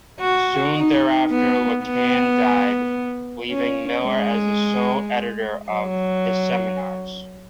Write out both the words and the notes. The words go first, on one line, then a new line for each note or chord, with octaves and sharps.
Soon thereafter Lacan died, leaving Miller as the sole editor of his seminars.
F#4
D#4
B3
B3
C#4
G#3
F#3